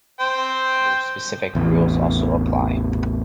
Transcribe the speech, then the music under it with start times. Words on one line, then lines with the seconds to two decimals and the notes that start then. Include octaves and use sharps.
Other specific rules also apply.
0.20 C5 G5
1.55 A1 E2 C3